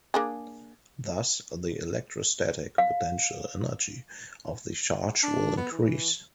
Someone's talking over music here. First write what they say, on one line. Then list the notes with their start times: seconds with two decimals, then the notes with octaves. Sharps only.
Thus the electrostatic potential energy of the charge will increase.
0.14 A#3 D4 G#4
2.78 F5
5.23 D4
5.57 B3
5.72 E3